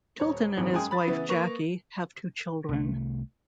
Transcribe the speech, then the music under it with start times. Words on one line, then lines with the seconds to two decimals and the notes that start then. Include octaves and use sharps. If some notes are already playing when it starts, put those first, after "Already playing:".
Tilton and his wife, Jackie, have two children.
0.20 D#1 C#5
0.57 D#1 G#1 E2 D#3
0.73 F#2 G#3 G#4 G5 G#5 D#6
0.91 B5 A6
1.07 C#3 E3 B3 E4
1.28 A#3 B4 C#6 A#6 F7
2.69 C2 A3